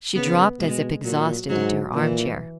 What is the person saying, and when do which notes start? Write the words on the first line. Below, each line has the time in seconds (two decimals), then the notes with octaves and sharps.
She dropped as if exhausted into her armchair.
0.14 C#3 B3
0.59 B2 G#3
1.04 A#2 F#3
1.49 G#2 F#3
1.93 A#2 E3